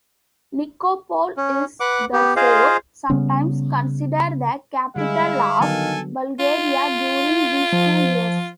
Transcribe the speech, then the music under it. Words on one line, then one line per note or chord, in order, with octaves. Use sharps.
Nikopol is therefore sometimes considered the capital of Bulgaria during these two years.
C#4
B4 F#5 D6
B3 G4
F4 G#4 C5 D#5 F5
C#3 G3 B3 C#4
D3 G3 G#3 E4 G#4 F5
D3 D#3 F#3 B3 A4 G#5
F4
F3